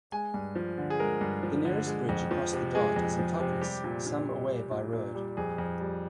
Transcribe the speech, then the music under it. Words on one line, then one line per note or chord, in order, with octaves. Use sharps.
The nearest bridge across the Dart is in Totnes, some away by road.
G#3 G#5
G2
F3
D3
G#4
G#3 A#4
G2
F3
D3
G#3
F2
F3
C3
G#3 G#4
F2
F3
C3
G3 G4
A#2
A#2
G3
G3
A#2
A#2
G3
F2 G#4
F2
G3